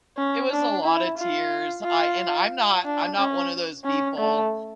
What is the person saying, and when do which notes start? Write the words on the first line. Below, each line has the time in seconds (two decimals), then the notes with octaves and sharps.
It was a lotta tears, I and I'm not I'm not one of those people
0.17 C#4
0.52 D4
0.84 E4
1.18 F4
1.84 F4
2.85 D4
3.18 C#4
3.84 C#4
4.18 A3